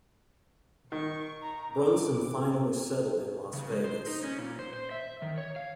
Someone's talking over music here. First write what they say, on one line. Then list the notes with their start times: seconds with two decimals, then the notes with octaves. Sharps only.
Brunson finally settled in Las Vegas.
0.92 D#3 C#6
1.42 A#5
1.75 D6
3.53 C#3
3.72 G#3
3.84 C5
4.08 D#4
4.24 C#4
4.38 A#2
4.59 C5
4.74 C5
4.91 E5
5.22 D#3
5.38 C#5
5.56 F5